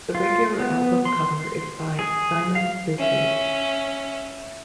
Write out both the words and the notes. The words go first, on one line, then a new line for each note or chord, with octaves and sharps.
The regular album cover is by Simon Bisley.
F4
B3
C6
G#4
F5
C#4 E5